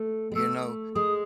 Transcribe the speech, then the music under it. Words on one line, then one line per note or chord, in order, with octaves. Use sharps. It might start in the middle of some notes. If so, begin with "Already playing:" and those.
you know,
Already playing: A3
G#3
A3 E6
G#3 D#6